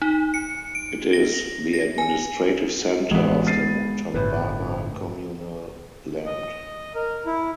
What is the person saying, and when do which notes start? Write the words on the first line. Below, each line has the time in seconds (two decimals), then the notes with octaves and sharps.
It is the administrative centre of the Mutambara communal land.
0.02 D#4
0.34 C#7
0.75 D7
1.13 A#6
1.73 A#6
1.98 G#5
3.11 A1 G#3 B3
3.47 A6 C7 D#7
4.14 G1 A2 B4
6.26 D#5
6.95 A#4
7.26 E4